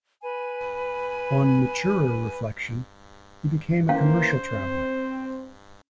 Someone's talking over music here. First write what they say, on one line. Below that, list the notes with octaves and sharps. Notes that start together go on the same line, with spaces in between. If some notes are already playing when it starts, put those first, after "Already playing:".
On maturer reflection he became a commercial traveller.
B4 G#5 B5
E3 A#3 C#4 C5 F5
C4